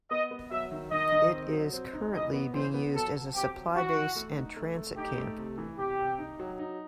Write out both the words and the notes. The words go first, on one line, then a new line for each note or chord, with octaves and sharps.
It is currently being used as a supply base and transit camp.
B3 D#5
B3
F#3 E5
D#3
D#3 D#5
D#3
C4
F#3
C4
D#4
E3 D#5
B3
E3 C5
B3
F#3 A4
F#3
C4 G4
F#3
E3 F#4
E3
A3
D#4
A3
A3
D#4 G4
A3
C3
E3
C3 G4
C3
D#4
F#3
D#4